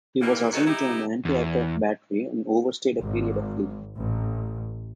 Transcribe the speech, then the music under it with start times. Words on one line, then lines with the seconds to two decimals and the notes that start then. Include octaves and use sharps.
He was assigned to an anti-aircraft battery and overstayed a period of leave.
0.21 G#2 E3 G3 A#3
0.52 D#3 F#3 G#3 D#4 A4 B4
0.67 D#4 E4 G4
1.25 E2
3.01 G#1
4.00 A1